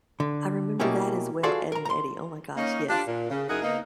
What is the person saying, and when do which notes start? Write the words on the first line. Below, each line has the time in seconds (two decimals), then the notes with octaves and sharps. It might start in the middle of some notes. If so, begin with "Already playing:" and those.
I remember that as well, Ed and Eddie, oh my gosh, yes.
0.20 D3
0.80 B2 A#3 C#4 E4 G4 G#4
1.43 F4 F#4 G#4 A4 D5 F5
1.72 A#4 A#5
1.85 A#5 C6
2.56 A#3 C#4 D#4
2.89 D4 F4 G4
3.07 A#2
3.30 C#3
3.49 F#2 D#4 E4 G#4 A#4 F#5
3.62 C#3 A#3 B3 D#4